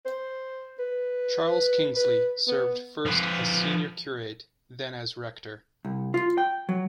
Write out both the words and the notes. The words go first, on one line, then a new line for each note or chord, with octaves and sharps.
Charles Kingsley served first as senior curate then as rector.
C5
B4
B4
B3
F3 B4
C2
F4
G5
F#3